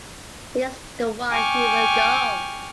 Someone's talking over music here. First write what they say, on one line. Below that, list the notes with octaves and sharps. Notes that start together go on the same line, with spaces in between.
She is the one who will go.
G5 G#5 C#6 D6 F6